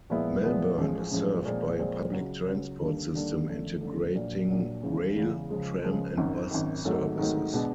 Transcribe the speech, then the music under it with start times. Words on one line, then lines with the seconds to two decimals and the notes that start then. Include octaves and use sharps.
Melbourne is served by a public transport system integrating rail, tram and bus services.
0.10 A#2 F3 G#3 B3 E4
0.44 A#2 F3 G#3 B3 E4
0.78 A1 A2 F3 G#3
1.11 A1 A2 F3 G#3
1.45 A#2 F3 G#3 C4
1.79 A#2 F3 G#3 C4
2.12 C#2 C#3 F#3
2.46 C#2 C#3 F#3
2.81 D#2 D3 G3 A#3 D4
3.14 D#2 D3 G3 A#3 D4
3.47 F#2 D3 F3 A3
3.81 F#2 D3 F3 A3
4.15 A#1 A#2 F#3
4.49 A#1 A#2 F#3
4.82 F#1 E2 C#3 E3 G#3
5.16 F#1 E2 C#3 E3 G#3
5.50 C#2 C#3 F3 G#3
5.84 C#2 C#3 F3 G#3
6.17 G#1 F#2 D#3
6.51 G#1 F#2 D#3
6.85 G#1 G#2 D#3 F#3 A3
7.18 G#1 G#2 D#3 F#3 A3
7.53 B2 G#3 B3 D4